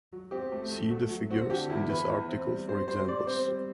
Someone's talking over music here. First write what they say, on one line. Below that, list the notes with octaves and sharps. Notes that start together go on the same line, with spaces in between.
See the figures in this article for examples.
F#3
C4 G4
A3
A3
A3 F#4
F#3
C4 F#4
D3 G4
E2 E4
E2 B4
E2
C4
G3
C4 C5
G3 C5
G3 D5
C4 C5
G3